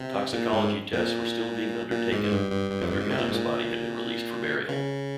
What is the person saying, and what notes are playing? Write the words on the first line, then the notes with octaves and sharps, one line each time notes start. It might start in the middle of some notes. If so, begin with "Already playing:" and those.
Toxicology tests were still being undertaken after Ghanem's body had been released for burial.
Already playing: C3
A#2
G#2
A#2
A#2
G#2
G#2
G2
G2
G2
F2
G2
G#2
C3
A#2
G#2
A#2
C#3